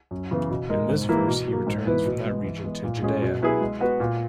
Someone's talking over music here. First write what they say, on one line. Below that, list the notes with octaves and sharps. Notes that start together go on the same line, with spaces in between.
In this verse he returns from that region to Judea.
F#2
C#3 E3 B3
B2
G#3 D#4 A#4
G#2
E3 A#3 E4 A#4
B2
F#3 A#3
G#2
E3 B3 E4 B4
B2
G#3 B3
E3
G#3 B3
A#2
G#3 C#4 G#4
B2
F#3 B3 E4 G#4
G#3
B3 F#4 B4
A#2